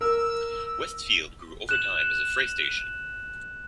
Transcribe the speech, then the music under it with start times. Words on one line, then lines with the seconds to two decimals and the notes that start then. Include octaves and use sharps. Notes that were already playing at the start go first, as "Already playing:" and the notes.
Westfield grew over time as a freight station.
0.01 A#4 E6
1.69 F#6 E7 F#7